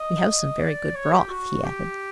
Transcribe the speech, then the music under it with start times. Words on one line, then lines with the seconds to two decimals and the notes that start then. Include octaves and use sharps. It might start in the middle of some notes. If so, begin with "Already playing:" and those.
"We have some very good broth," he added.
Already playing: D#5
0.60 D5
0.95 C#5
1.12 G4
1.29 F#4
1.64 G4